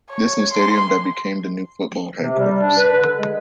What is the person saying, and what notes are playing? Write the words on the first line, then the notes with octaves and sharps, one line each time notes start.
This new stadium that became the new football headquarters.
C#5
C6
C3
G3
D4
B4
D3
G#3